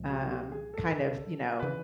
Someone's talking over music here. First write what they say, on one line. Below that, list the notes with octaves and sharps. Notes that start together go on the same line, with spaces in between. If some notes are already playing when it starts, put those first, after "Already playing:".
um, kind of, you know,
Already playing: C2 A#2 F3 G#3
F#4
F#4
G4
G#4
A4
C#3 E3 B4